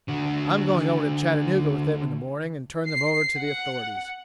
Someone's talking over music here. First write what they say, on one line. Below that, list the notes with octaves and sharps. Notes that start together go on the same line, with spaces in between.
I'm going over to Chattanooga with them in the morning and turn them over to the authorities.
D3 F#4
C7
F#5